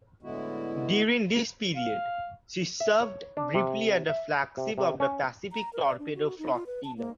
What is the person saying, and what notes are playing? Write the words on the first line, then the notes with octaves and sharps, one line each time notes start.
During this period, she served briefly as the flagship of the Pacific Torpedo Flotilla.
A2 D3 G#3 B3 E4 F#4
F5
E5
C#5
D4
C3
E5
C3
C3
C#4
A#5
A#4
D5
D4
F#4
D#4
F4
B4
A5
A#3